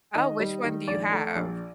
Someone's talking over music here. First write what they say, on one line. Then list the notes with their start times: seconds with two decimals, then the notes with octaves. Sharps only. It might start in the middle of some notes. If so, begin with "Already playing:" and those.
Oh, which one do you have?
0.15 D#3 D#5
0.39 G3
0.64 D#3
0.88 A#1 D5
1.12 A3
1.35 A#1